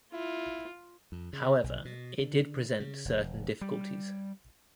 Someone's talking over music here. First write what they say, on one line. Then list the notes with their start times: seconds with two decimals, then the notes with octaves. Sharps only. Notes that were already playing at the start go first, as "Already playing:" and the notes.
However it did present certain difficulties.
0.13 E4 F4
1.12 F2
1.33 C#3
1.64 B1
1.85 B2
2.19 D3
2.80 C#3
3.05 F1
3.61 G3